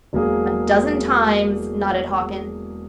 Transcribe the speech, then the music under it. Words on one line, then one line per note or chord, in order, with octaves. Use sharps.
"A dozen times," nodded Hawkins.
E1 F#3 A#3 G#4